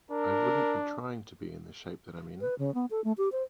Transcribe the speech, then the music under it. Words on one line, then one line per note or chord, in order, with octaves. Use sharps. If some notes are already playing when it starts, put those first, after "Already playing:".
I wouldn't be trying to be in the shape that I'm in.
D4 A#4
B4
C#3
B3
A4
A3
G4
C5